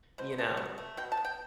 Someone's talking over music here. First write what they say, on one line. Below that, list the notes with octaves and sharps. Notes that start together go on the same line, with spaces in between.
you know,
B2 C5
A3
B2
A3
B2 G5
A5
B3
G5